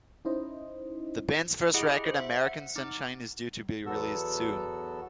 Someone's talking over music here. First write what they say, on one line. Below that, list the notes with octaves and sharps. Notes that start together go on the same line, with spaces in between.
The band's first record "American Sunshine" is due to be released soon.
C#4 D#4 E4 C5 D#5
E4 G4 G#4 D#5 F#5
C5
E5
F#5
D#4 D6
E2 F#3 B3 F#4 A4 E6